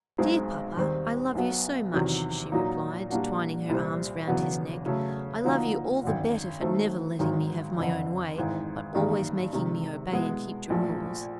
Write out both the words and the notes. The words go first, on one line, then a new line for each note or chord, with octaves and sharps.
"Dear papa, I love you so much!" she replied, twining her arms around his neck, "I love you all the better for never letting me have my own way, but always making me obey and keep to rules."
B1 B2 G#3 C4 D#4
D#2 D#3 G3 C4
B1 B2 F#3 B3
E2 C3 D#3 F#3
A#2 F#3 A#3 D#4
A#2 G3 A#3 D4 F#4
C2 A#2 G3 C4
E1 E2 C#3 F#3 B3
C#3 F#3 A3
D3 F3 A#3 D#4 F#4
G#1 F#2 D3
D#3 F#3 A3 C4
G#1 G#2 D#3 F#3
F#1 F2 D3
G#1 G#2 E3
A1 G2 D#3 G3 A#3
C3 D#3 G#3
B2 G#3 B3 E4
A#1 A#2 F3 A3